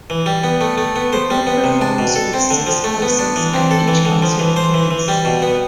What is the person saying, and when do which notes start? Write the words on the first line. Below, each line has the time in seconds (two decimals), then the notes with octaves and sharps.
The group performs with six voices at each concert appearance.
0.10 E3
0.26 G3
0.44 B3
0.61 A3
0.78 A3
0.96 B3
1.13 C5
1.30 G3
1.47 B3
1.64 C3
1.81 D4
1.98 B2
2.16 A4
2.34 C4
2.50 D3
2.67 F3
2.84 A3
3.02 B3
3.19 D4
3.36 E3
3.54 C4
3.71 A4
3.88 E3
4.05 D3
4.22 F3
4.39 E3
4.56 C5
4.74 E3
4.91 E3
5.08 G3
5.25 B2
5.42 B3